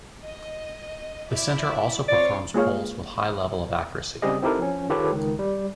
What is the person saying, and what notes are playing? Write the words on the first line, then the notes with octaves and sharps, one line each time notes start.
The center also performs polls with high levels of accuracy.
D#5
E4 D5 E5
C4 F4 C#5 D5
G#3 A#3 F4 G#4 C#5 F5
C#3 G3 C4 G4 G#4 D#5
C4 D#4 E4 G4 A4 A#4
F3 C#4
D#3 F4 G4 A4 B4 C#5
C#2 D#3
G3